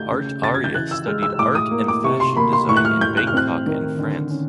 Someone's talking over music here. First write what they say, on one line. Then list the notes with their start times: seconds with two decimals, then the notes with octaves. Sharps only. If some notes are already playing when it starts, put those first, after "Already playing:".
Art Arya studied art and fashion design in Bangkok and France.
Already playing: A3 G6
0.10 C#3
0.42 C#3 A6
0.54 G#6
0.64 G6
0.74 E3 F#6
0.91 E6
1.06 G#3 F6
1.23 E6
1.39 A2 D6
1.55 D#6
1.71 A#3
1.88 D6
2.04 C3 C#6
2.20 C6
2.36 A#3 B5
2.53 C6
2.69 A2 C#6
2.76 F#6
2.85 F6
3.01 A2 G6
3.17 F#6
3.27 F6
3.34 C4 F#6
3.66 D#3
3.98 D3
4.30 C#4